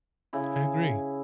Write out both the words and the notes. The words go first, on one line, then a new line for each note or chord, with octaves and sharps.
I agree.
C#3 E4